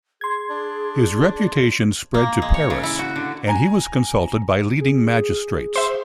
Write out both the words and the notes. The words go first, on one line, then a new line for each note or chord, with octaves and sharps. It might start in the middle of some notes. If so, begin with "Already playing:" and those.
His reputation spread to Paris and he was consulted by leading magistrates.
G#4 C6 G#6
D4
A#3
G#3
C#5
C#3
E4
F#4
D3
G#5 A#5
G#4
C5 E5